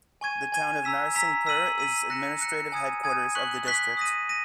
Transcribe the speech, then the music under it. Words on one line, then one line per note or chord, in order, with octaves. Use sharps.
The town of Narsinghpur is administrative headquarters of the district.
G#5 C#6 G#6 D#7
G#5 C#6 G#6 D#7
A#5 E6 B6 E7
A#5 E6 B6 E7
E6 B6 D#7 F#7
E6 B6 D#7 F#7
F#6 A#6 C#7 E7
F#6 A#6 C#7 E7
G#5 D#6 G#6 D#7
G#5 D#6 G#6 D#7
C#6 F#6 B6 F#7
C#6 F#6 B6 F#7
D#6 A#6 D#7
A#6 D#7